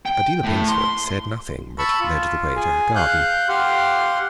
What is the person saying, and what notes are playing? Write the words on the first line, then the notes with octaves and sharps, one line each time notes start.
Adela Pingsford said nothing, but led the way to her garden.
G5
A2
C6
A5 B5 C#6 E6
F4
G#4 G#5
F5 F#6 G6
G4 F5 F#5 C6